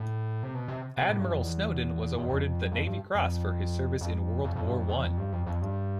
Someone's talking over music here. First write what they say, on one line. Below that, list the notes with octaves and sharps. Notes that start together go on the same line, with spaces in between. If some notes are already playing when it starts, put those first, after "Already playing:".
Admiral Snowden was awarded the Navy Cross for his service in World War One.
Already playing: A2
C3
B2
C3
C3
A2
G2
F2
E2
E2
F2
F2
G2
F2
F2
F2
F2
G2
F2
E2
F2
G2
F2
F2
G2